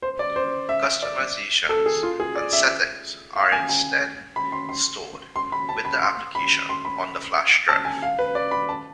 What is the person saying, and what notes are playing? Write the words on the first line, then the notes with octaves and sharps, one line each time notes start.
Customizations and settings are instead stored with the application on the flash drive.
C5
D5
C5
E5
D5
A4
G#4
F4
G#4
D5
E5
F5
G#5
G#5
B5
C6
C6
C6
B5
A5
B5
C6
B5
C6
B5
A5
G#5
F5
B4
D5
B5
A5